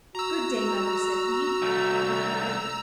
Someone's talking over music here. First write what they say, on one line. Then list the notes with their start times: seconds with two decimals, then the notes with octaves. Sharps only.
'Good day, mother,' said he.
0.15 F#4 A#5 E6
1.62 C2 A3